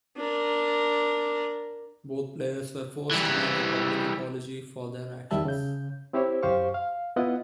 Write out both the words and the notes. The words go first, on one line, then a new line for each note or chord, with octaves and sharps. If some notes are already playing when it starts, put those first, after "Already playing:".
Both players were forced to make a public apology for their actions.
D4 A#4
E3 G3
E2 D#3 G3 E5 A5
C#3 G6
C4 E4 G4 C5 C#5
F#2 G4 C5 F5 C#6
F5
B3 E4 F4 B4 D#5 F#5